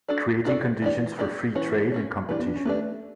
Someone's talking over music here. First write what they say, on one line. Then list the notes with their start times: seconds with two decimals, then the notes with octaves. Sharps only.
Creating conditions for free trade and competition.
0.08 D4 F#4 A4 D5
0.45 D4 F#4 A4 D5
0.82 E3 D4 G4 D5
1.19 D4 G4 D5
1.55 E3 C#4 F#4 C#5
1.92 C#4 F#4 C#5
2.29 E3 D4 G4 B4
2.38 B3
2.47 D4
2.56 C#4
2.65 A3 D4 G4 B4